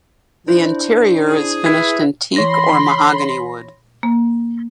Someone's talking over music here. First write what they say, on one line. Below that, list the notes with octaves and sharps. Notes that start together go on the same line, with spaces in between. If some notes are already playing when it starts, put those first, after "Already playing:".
The interior is finished in teak or mahogany wood.
D4 E4 C5
G#4
E4 B4
E3 C#5 B5 C6 A#6
A#3